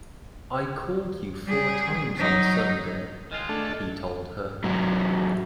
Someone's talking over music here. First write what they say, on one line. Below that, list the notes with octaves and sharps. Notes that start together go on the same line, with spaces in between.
"I called you four times on Sunday," he told her.
G3 G#4
F#3 D#4
D#3 G#3 F4
A3 D4 A4
G#2 F#3